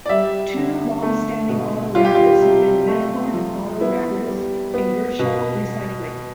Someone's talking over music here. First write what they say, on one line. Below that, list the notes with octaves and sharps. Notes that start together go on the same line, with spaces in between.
Two long-standing auto wreckers have been Medford Auto Wreckers and Gershow Recycling.
D5
G3 E5
D3
A3
B2
G3 F4
G4
F4
C3
A3
F3
B3 E4
G3
B3
B2